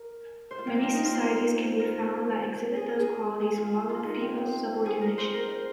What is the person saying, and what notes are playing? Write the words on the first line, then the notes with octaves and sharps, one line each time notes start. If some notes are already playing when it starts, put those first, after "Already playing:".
Many societies can be found that exhibit those qualities along with female subordination.
Already playing: A#4
C5
F4
C4
A#3
C4
D#4
F4
C5
A#4
G#4
A#4
G#4
G#4
F4
G#4
F4
D#4
C4
C4
G#4
A#4
C5
A#4
C5